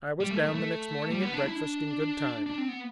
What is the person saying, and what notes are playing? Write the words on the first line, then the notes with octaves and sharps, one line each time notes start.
I was down the next morning at breakfast in good time.
G3
A3
A3
A3
G3
B3
D4
E4
D4
D4
C4
B3